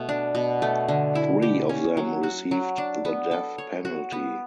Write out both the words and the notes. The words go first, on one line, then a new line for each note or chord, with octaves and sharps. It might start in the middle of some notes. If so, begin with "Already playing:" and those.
Three of them received the death penalty.
Already playing: B2 A3
D4
B2
A3
D3
E4
G4
C#4
F#3
F#4
F#3
D4
B3
A4
C#5
F#4
B3